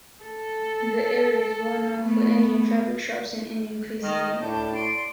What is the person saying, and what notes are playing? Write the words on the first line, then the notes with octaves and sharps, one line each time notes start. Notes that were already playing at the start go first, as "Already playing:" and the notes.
The area is well known for Indian fabric shops and Indian cuisine.
A4
A3 B3
D#3 D#5 F6
A2 D4 A5 G6
D5 C6 D7